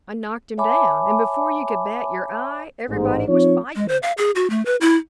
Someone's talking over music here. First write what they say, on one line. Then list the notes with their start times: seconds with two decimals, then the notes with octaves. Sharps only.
I knocked him down, and before you could bat your eye everybody was fightin'.
0.58 C#5 E5 G#5 A5 B5 D6
2.89 A1 G#2
3.27 F3 C4 D#4 F4 C#5
3.76 G#3
3.88 C5
4.03 F5
4.18 G#4
4.35 F#4
4.50 A3
4.66 B4
4.81 E4